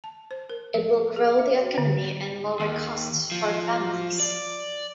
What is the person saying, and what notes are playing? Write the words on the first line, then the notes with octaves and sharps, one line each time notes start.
It will grow the economy and lower costs for families.
A5
C5
A#4
F3
G#4
E5
F#4
D3
D#2
F3
D5